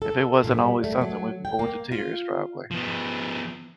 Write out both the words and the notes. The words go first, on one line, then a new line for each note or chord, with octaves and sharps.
if it wasn't always something, we'd be bored to tears probably,
A4
A#2
G3
A3
F#3
G5
A#3
F4
F3 B3